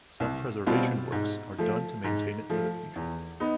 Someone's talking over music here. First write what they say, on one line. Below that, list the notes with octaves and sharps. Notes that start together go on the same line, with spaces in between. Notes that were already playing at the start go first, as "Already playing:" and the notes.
Some preservation works are done to maintain it for the future.
C2
B2 G3 C4 F4
G#2
F3 A3
G#2
F3 A3
E2
B3 D#4